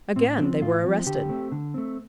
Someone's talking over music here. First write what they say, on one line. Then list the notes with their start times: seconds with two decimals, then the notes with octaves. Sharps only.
Again they were arrested.
0.16 A2 C4
0.38 F3 C4 D4
0.61 A2 F4
0.84 F3 C4
1.07 D3 G4
1.29 A3 C4
1.52 D3
1.74 A3 C4